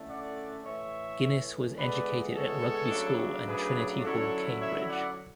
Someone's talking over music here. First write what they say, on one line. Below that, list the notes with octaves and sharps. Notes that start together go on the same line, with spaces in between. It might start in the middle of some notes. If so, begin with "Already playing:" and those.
Guinness was educated at Rugby School and Trinity Hall, Cambridge.
Already playing: D3 A3 C#4 E4
D5 F#5
A2 E3 A3 C#5 E5
D3 G#3 B3 E4 B4 D5
A4 C#5
C#3 F#3 A3 D4
G#4 B4
D3 F#3 C#4 E4 A4 C#5
C#5 E5
D5 F#5